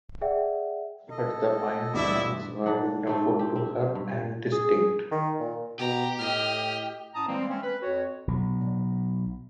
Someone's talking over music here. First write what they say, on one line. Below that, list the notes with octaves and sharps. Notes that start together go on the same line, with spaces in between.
But the pine trunks were wonderful to her, and distinct.
G#4 D5 E5 F#5 G5
A4 D#5
D2 G2 E3 B3 E4 D5 E5
G#2 D4 F#5
G#2 A3 C4
C4 G4
C4
G2
G#4
D#3
A#2
B2 G4 A#5
A2 D#5 F6
A2 C#4 A5 A#5 D#6
E3 G3 G#3 A#3 C4
G#3 A3 C4 C#4
B4
F2 F#4 C#5
B1 B2